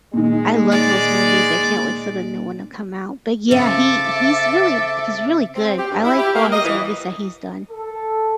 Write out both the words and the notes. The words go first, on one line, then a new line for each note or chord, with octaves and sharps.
I love those movies, I can't wait for the new one to come out. But yeah, he he's really he's really good, I like all his movies that he's done.
A#2 D#3 G#3
D5
C#3 C4 A4 E5 D6
C4
G4
G2
E4
G4
A#3
D#5
E3
A4